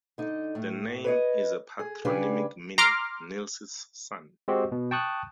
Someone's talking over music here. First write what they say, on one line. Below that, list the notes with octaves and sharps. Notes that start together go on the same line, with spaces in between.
The name is a patronymic meaning "Nils's son".
D3 D#4
A2
B4 C#5 D#5
G#4
C#3 G3 C#4 D4 G#4 B4
A#5 C6 D6 F6
G#3 C4 F#4 G4
B2
G5 A5 C#6 D#6 F#6